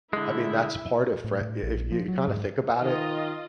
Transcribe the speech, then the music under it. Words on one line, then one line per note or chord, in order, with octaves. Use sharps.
I mean, that's part of frie i if you kind of think about it,
D3 G#3 E4 E5
A2
A2
A#1
F3
F#3
G#2
D#3 F4 D#5